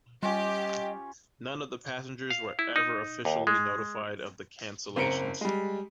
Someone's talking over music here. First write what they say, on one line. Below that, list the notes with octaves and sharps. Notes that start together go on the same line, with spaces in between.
None of the passengers were ever officially notified of the cancellations.
G3 C#4 F4 G4 D#5
F5
E4
D#4
D#2
G#3
F#1 C4 A#5 C#7 D7
G3 G#3